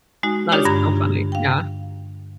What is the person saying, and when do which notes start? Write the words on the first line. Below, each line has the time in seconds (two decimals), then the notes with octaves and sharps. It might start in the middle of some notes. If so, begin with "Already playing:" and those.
That is so funny, yeah.
0.23 G#3 D#4 F#4
0.52 D4 D#4 F4 G4 C#5 D5
0.65 G2 D3 A#5 G#6
1.32 F5 G5